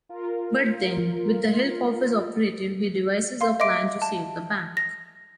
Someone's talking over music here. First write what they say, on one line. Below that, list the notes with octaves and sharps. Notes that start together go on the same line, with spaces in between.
But then, with the help of his operative, he devises a plan to save the bank.
F4 A#4
F5 C6
D#5 E5 C6 D6 D7
A5
A#6